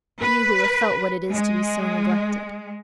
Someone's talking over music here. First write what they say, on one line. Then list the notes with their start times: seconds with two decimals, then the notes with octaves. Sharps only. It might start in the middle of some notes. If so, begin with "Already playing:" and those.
You who have felt what it is to be so neglected!
0.20 B4
1.30 G#3